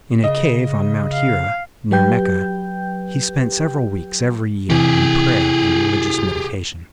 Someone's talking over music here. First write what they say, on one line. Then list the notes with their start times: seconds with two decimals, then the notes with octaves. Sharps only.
In a cave on Mount Hira, near Mecca, he spent several weeks every year in prayer and religious meditation.
0.24 C#3 D#5
1.14 F5
1.91 F#3 G4 B4 G5 G6
4.70 C3 E3 E4 G4 G#4